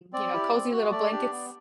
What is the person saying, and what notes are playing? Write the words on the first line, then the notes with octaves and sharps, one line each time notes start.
you know, cozy little blankets
C4 D5
E4 G4
C4
F#4
A3 D5
D4 G4
B3